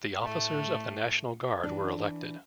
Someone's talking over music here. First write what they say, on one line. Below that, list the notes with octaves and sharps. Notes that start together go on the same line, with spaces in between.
The officers of the National Guard were elected.
A2 A3
E3 D4